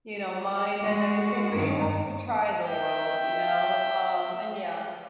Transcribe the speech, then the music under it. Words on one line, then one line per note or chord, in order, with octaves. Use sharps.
you know, mind and everything, but you have to try the world, you know, um, and yeah
G#3 F#4
G2 D#3
E5 G5